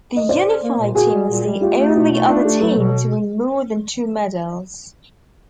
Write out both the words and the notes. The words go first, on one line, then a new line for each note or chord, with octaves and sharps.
The Unified Team was the only other team to win more than two medals.
D#5
A#2 C5 D5
C#4
A#3
A#2
A#2 F#4 G#4
G3
A#2
G3
A3 F4 G4
A3
G4
B2 E4 F#4
A3 D#4 F4
D4 D#4 F4
A3 G4 A4
F#3 A4 B4
B2